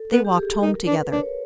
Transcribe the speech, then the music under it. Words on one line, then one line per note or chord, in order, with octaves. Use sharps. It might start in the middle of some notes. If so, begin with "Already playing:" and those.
They walked home together.
Already playing: A4
B3
G4
G#4
A4
D#4 A#4
D4 B4
D4 C#5